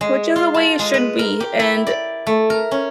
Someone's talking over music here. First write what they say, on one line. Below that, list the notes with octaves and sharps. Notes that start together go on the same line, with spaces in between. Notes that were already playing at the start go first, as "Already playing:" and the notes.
Which is the way it should be, and
G#3
F4
A5
G#3
B4
A#4
G4
E4
D5
A3
A#4
C#4